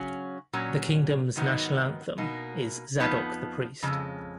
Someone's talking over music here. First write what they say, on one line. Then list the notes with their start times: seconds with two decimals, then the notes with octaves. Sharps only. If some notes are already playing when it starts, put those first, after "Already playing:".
The kingdom's national anthem is "Zadok the Priest".
Already playing: C#3 F#3 C#4
0.53 A#2 F#3 C#4
1.36 G#2 D#3 F#3 B3 D#4
2.18 B2 A#3 D#4
3.00 F2 F3 B3 D#4
3.83 F2 C#3 G#3